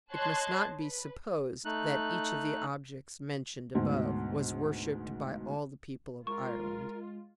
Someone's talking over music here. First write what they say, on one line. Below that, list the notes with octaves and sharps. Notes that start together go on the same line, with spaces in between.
It must not be supposed that each of the objects mentioned above was worshipped by all the people of Ireland.
C#5 D#5 A5 C6 F#6 G#6
B4
A3 D#4 F#6
D2 G#2 B2
G#3 F4 A#4 C#6